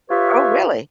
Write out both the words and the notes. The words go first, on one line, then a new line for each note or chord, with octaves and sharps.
Oh, really?
F4 G4 B4 C#5 E5